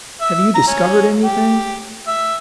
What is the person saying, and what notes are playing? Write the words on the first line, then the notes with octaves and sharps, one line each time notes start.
"Have you discovered anything?"
E5
A#5
C#4
G4
E5